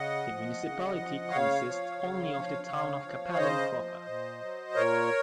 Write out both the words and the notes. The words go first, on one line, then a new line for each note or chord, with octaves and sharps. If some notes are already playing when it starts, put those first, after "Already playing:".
The municipality consists only of the town of Kapellen proper.
Already playing: C#3 D#5 F#5
F3
C#3
F3
C#3 C#5 F5
F3
C#3
F3
C#3
F3
F5
C#3 C5 D#5
F3
A#2
F#3
A#2 A#4 C#5